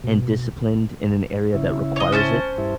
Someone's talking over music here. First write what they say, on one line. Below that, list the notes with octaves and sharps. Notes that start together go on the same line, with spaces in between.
and disciplined in an area that requires it.
B2
C#3 E4
C#5 D#5
C#4 C5 A5
G2 E4